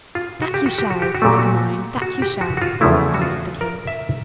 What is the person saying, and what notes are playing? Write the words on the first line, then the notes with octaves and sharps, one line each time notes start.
"That you shall, sister mine; that you shall," answered the king.
F4
F#4
G4
F#4
G4
F#4
G4
F#4
A#2 F#3 A3 G4
F#4
F#4
G4
F#4
F#4
F4
E2 C#3 F3 A3 E4
F#4
F4
A#4
E5